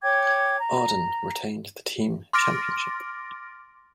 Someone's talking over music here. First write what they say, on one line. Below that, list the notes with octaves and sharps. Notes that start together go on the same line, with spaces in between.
Arden retained the Team Championship.
C#5 G5 D6 G#6
A#5
C6 D6 F6 A6 A#6 D7